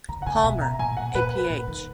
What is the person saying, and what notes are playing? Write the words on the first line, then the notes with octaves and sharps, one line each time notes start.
Palmer, a Ph.
C#3 A#5
F#5
C#3 G#5
B2 E5
A#5
A#2 G#5
F#5
A#2 B4
B4
A#2
D#3